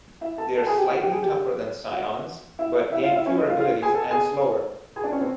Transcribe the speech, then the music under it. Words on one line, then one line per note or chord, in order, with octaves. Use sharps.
They are slightly tougher than psions, but gain fewer abilities and slower.
E4 E5
A4 A5
A4 A5
G#4 G#5
G4 G5
F#4 F#5
G4 G5
G#4 G#5
G4 G5
F#4 F#5
E4 E5
E4 E5
F4 F5
E4 E5
C#4 C#5
D#4 D#5
F4 F5
F4 F5
G#4 G#5
A4 A5
G#4 G#5
G#4 G#5
D4 D5
C#4 C#5
C4 C5